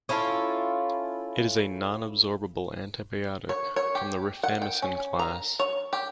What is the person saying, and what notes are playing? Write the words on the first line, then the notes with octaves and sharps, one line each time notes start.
It is a nonabsorbable antibiotic from the rifamycin class.
C#4 E4 F4 A4
C#5
C#5
G4
F#5
G5
C#4
A#5
C#5
G4